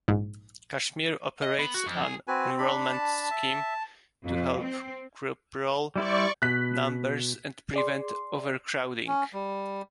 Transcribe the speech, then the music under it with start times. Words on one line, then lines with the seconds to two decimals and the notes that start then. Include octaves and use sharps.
Cashmere operates an enrolment scheme to help curb roll numbers and prevent overcrowding.
0.08 A#1 G#2
1.42 D#5
1.59 B3
1.74 F#4
1.87 F2
2.04 G#4
2.27 C4 F#4 B4 G#5
2.58 D4 B5
2.92 A5
3.30 E5
4.24 F2
4.61 C4
5.96 G3 E4 C5 D5 C#6
6.42 B2 F#6 B6
7.74 G#4 D5 C6
9.07 C#4
9.33 G3